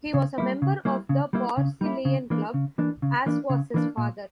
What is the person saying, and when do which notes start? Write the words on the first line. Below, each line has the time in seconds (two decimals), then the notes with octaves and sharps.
He was a member of the Porcellian Club, as was his father.
0.14 C#3
0.38 G3 A#3 E4
0.62 C#3
0.85 G3 A#3 E4
1.09 C#3
1.33 G3 A#3 E4
1.57 C#3
1.81 G3 A#3 E4
2.05 C#3
2.30 E3 A#3 D4
2.54 C#3
2.78 E3 A#3 D4
3.02 C#3
3.26 E3 A#3 D4
3.50 C#3
3.74 E3 A#3 D4
3.97 A#2